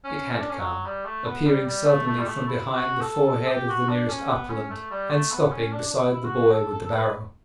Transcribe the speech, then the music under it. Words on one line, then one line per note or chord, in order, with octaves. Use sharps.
It had come--appearing suddenly from behind the forehead of the nearest upland, and stopping beside the boy with the barrow.
C#4
C#4
D4
C#4
F#3
G3
A3
B3
G3
G3
A3
A3
G3
A3
E4
F#4
A4
A4
G4
F#4
D4
C#4
B3
C#4
A3
G3
A3
B3
C#4
D4
D4
E4
E4
F#4
A4
A4
A4
B4